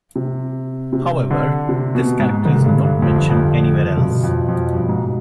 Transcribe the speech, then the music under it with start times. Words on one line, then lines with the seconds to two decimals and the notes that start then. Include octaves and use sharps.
However, this character is not mentioned anywhere else.
0.16 C3
0.93 C3
1.30 D3
1.69 C3
1.95 B2
2.20 G#2
2.45 G#2 D3
2.56 C3
2.64 G2 D3
2.83 G2
3.02 F2
3.16 G2
3.29 F2
3.97 G2 B2
4.23 F2
4.48 F2
4.74 G2
4.89 G#2